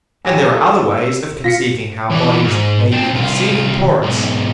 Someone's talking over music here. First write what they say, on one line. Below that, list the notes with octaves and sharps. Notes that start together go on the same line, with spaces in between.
And there are other ways of conceiving how Bodies may be exceeding porous.
A1 F#3 G4 G#5
D4 G#4 A4
E6
F4 A#6 B6 C#7
E3 D5
G#2
C4 D4
C2 F4
B1 G#2